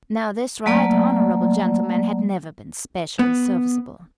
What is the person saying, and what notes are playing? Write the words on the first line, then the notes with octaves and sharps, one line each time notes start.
Now this right honourable gentleman had never been specially serviceable.
F#3 A3 A#3 D5
B3